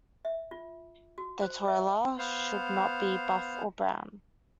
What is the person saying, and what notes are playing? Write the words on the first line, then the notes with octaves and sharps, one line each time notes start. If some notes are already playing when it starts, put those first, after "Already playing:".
The Toller should not be buff or brown.
E5
F4
F#4
C5
E5
B3 C5 F5